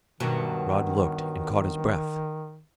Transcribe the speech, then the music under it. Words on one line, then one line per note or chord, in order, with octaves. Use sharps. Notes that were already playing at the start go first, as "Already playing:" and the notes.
Rod looked, and caught his breath.
G2 B2 D#3 F#3